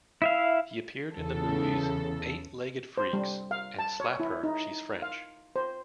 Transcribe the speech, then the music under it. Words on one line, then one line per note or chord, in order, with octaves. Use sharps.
He appeared in the movies "Eight Legged Freaks" and "Slap Her... She's French".
E4 E5 F5
E2 C#3 A4
C5
G3
F5
A5
C#5
E4
D#4
F5
C5